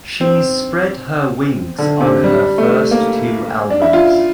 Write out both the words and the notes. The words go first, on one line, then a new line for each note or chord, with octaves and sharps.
She’s spread her wings on her first two albums.
C4
D3
C3
G3
A3
A#3
D4
E4
F4